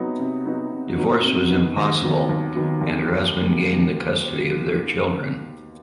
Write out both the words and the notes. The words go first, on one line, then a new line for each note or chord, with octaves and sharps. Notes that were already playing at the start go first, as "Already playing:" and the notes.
Divorce was impossible and her husband gained the custody of their children.
Already playing: C3 F#3 B3 D#4 F#4
C3
F#3 B3 D#4 F#4
C3
F#3 B3 D#4 F#4
C3
F#3 B3 D#4 F#4
D#2
D#3 F#3 B3 F#4
D#2
D#3 F#3 B3 F#4
D#2